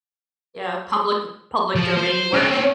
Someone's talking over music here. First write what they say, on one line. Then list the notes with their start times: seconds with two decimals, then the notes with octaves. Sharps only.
Yeah, public with public domain works.
1.76 F3
1.98 C5
2.34 C4 C#4